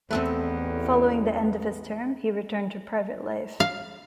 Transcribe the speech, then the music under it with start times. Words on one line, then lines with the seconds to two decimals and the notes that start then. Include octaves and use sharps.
Following the end of his term he returned to private life.
0.11 A1 E2 A3 B3 C4 A4 B4
3.60 F5